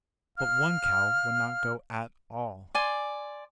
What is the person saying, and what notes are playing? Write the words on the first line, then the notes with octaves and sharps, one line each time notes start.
But one cow would not go at all!
F5 F6
D5 G#5 C6